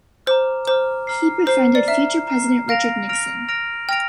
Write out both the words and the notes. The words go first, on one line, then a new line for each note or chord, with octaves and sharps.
He befriended future President Richard Nixon.
C5 A#5 D6 F6
C5 A#5 D6 F6
A#5 F6 C7
C5 A#5 F6 C7
D5
E5 A#5 F6 C7
A#5 F6 C7
F5 F6 A#6 D7 F7
F6 A#6 D7 F7
F6 A#6 D7 F7
G5 F6 A#6 D7 F7